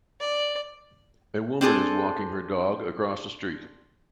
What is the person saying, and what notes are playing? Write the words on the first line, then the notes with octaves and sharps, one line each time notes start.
A woman is walking her dog across a street.
D5
C4 D4 G#4 A4